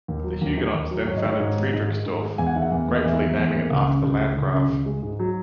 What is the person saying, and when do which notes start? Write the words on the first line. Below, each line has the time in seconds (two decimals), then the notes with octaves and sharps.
The Huguenots then founded Friedrichsdorf, gratefully naming it after the Landgrave.
0.08 D#2
0.24 F#3
0.41 D#2
0.58 D#3
0.75 D#2
0.91 F#3
1.07 G#2 C#5
1.17 D#5
1.24 D#3 C#5
1.40 G#2
1.57 G#3
1.73 G#2
1.89 D#3
2.06 G#2
2.22 G#3
2.38 E2 G#5
2.47 F#5
2.55 D#3 E5
2.62 F#5
2.71 E2
2.88 A#3
2.94 D#5
3.05 E2 E5
3.21 D#3
3.38 E2
3.54 A#3
3.71 C#2
3.88 C#3
4.03 C#2
4.20 G#3
4.37 C#2
4.54 C#3
4.70 C#2
4.86 G#3
5.03 G#2
5.19 F#3